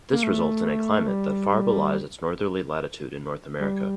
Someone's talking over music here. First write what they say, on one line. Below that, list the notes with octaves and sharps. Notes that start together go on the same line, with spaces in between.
This results in a climate that far belies its northerly latitude in North America.
A#3
A3
G3
G3